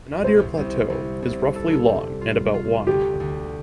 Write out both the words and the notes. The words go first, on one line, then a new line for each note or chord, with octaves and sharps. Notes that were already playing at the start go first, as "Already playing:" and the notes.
The Anadyr Plateau is roughly long and about wide.
C2 C5
C2
C2
C2
A4
G3
F4
F4
D2 G4
D2